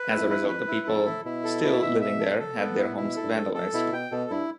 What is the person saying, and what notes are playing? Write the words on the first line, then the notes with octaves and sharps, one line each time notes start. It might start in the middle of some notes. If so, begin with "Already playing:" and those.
As a result, the people still living there had their homes vandalized.
Already playing: B4
E4
F2
B4
F2
B4
E4
F2 A4
A2 E4
B2 E4
A4
E4
E5
E5
A4
A4
B3
E4
B2 E4
A4
G2
A4
F2
A4
B2 E4
B2 G5
B2 A4
G2 E4